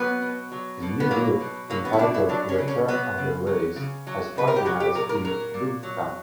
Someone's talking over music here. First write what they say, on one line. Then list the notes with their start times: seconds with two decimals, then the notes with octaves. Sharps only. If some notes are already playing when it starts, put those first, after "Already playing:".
A new group, entitled Return of the Rails, has organized in Bridgton.
Already playing: F#3 B3
0.22 B2
0.52 F#3
0.82 B2
1.00 B3
1.11 F#3 A#3
1.40 B2
1.70 F#3 A#3
1.85 B3
1.93 E4
1.99 B2 D4
2.14 E4
2.29 F#3 D4
2.49 C#4
2.58 C#3
2.68 C#4
2.88 F#3 B3
3.18 C#3
3.47 F#3
3.76 C#3
4.07 F#3
4.36 C#3 B4
4.47 A#4
4.56 G4
4.65 F#3 F#4
4.80 G4
4.95 A#2 A#4
5.09 A#4
5.24 F#3 A#4
5.54 A#2
5.83 F#3